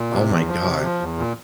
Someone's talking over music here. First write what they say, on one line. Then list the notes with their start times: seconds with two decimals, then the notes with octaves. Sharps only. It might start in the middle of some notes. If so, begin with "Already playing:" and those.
Oh my gosh.
Already playing: A#2
0.11 C3
0.29 E2
0.47 F3
0.65 C3
0.83 F3
1.01 E2
1.19 A#2